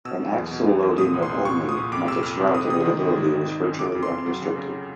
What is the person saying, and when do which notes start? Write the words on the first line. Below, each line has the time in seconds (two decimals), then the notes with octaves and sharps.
An axle-loading of only meant its route availability was virtually unrestricted.
0.05 B2 E6
0.20 F#3
0.37 E2
0.51 B2
0.67 E2
0.83 E2
0.98 A#2 D#6
1.14 C2
1.23 C6
1.29 C2
1.45 A#2 C#6
1.61 A#2
1.69 D#6
1.77 A#2
1.92 F2 D6
2.08 C3 E6
2.23 F2 F6
2.39 C3
2.54 F2 D#6
2.70 C3 D#6
2.85 D#3
3.01 G#1
3.16 G#1
3.33 D#3
3.48 D#3
3.64 F#2
3.79 C#3 D6
3.95 F2
4.03 C6
4.10 F2
4.26 F#3
4.42 C#3
4.57 C#3